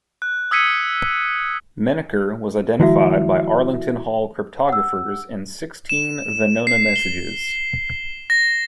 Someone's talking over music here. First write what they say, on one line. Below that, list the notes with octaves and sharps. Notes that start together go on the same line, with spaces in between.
Menaker was identified by Arlington Hall cryptographers in sixteen Venona messages.
F#6
D#6 E6 G#6 B6 C#7 D#7
D#3 F3 G#3 E4 F#4 E5
F#5 E6
E7
C7
G7
A#6